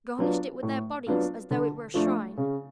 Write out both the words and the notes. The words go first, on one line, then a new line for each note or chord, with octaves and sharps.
Garnished it with their bodies as though it were a shrine.
F#3 B3 D4 F4
A2
F#3 B3 D4 F4
D3
F3 A3 D4
C#3